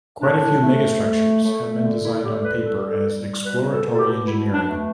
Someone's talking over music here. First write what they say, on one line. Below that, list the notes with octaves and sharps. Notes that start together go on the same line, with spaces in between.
Quite a few megastructures have been designed on paper as exploratory engineering.
A2 D4
A3
A3
A3
D3
E4
D3 G4
B4
G3 A4
G4
A4
G3
B2 B4
A4
B2
A4
G4
B2 E4
D4
A3